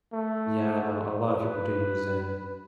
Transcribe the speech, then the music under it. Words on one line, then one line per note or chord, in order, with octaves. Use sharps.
Yeah. I know. A lotta people do use Zen.
A3
B4